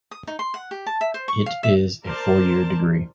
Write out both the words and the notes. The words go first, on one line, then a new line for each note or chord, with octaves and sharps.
It is a four-year degree.
D#6
D#4
C6
F#5
G4
A5
E5
C5
C#6
F5
E5
A#4 C5 D5 A5